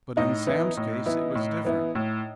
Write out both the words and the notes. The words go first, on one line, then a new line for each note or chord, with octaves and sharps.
But in Sam's case it was different.
A2 D#4 D#5
E3 B3 E4
A2
E3 B3 E4
A2
E3 B3 E4
A2